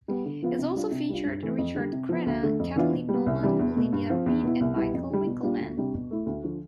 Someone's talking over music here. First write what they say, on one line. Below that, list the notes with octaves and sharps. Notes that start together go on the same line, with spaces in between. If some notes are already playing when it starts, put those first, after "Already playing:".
It also featured Richard Crenna, Kathleen Nolan, Lydia Reed, and Michael Winkelman.
G3 B3
D3
F3 B3 F4
C3
G3 D4 F4
C3
G3 D4 F4
G2
E3 A3 C4
F2
D3 G3
C3
F3 B3
D2
D3 A3
F2
E3 B3 D4 F4
B2
G3
B3
C2
C3 E3 G3 D4
E2
B2 A3
G2
F3 C4 F4
E2
B2 B3 E4
C2
B2 G3 B3 E4
F2
D3 G3
B2
G3 D4 F4
D2
C3 G3 D4
B2
A3 E4
D2
D3 F3